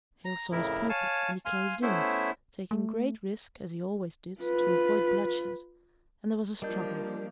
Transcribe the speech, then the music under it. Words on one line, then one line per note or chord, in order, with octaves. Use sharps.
Hale saw his purpose, and he closed in, taking great risk, as he always did, to avoid bloodshed, and there was a struggle.
A#5
F2 A2 C#3 E4 A#4
C#5 F5 G#5 A5
F5 G#5 C6 F6
A3 B3 C#4 E4 C5 E5
A3
F4 B4
F3 G3 A#3 D4 A#4 D#5 G6